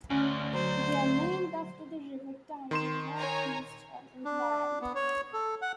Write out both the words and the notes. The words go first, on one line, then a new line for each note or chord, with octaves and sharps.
They are named after the River Tyne in north-east England.
D2 C#4
F#3 C5
D#3 C6 E7
C#5 G#5 A#5
D4
B3
C#5
A4
F#5